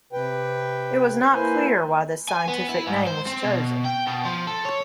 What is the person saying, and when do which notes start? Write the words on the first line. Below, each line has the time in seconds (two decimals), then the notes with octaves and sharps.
It was not clear why this scientific name was chosen.
0.13 C3 B4 G5
1.34 A#3 E4 B4 C5 G#5
2.29 G#5
2.48 B3
2.69 E4
2.87 G#2
3.07 C5
3.27 C4
3.44 B2
3.85 G5
4.07 B2
4.25 F3
4.47 A4
4.65 C#5